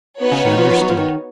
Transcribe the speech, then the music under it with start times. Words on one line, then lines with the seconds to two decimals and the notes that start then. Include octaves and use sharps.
She understood!
0.19 B3 D#4 F#4 C#5
0.32 C#3
0.45 D#3
0.58 F3
0.70 F3
0.82 F#3
0.90 F3
0.97 D#3